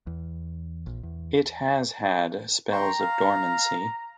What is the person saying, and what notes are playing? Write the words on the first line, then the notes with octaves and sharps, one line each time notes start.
It has had spells of dormancy.
E2
A#1
E2
G5 A#5 C6 C#6
F5